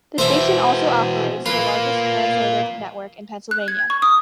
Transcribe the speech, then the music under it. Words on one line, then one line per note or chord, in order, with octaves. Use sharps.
The station also operates the largest translator network in Pennsylvania.
B2 E3 C5 E5
A#3 F4 B4
F#6
G#6
C#6
D#6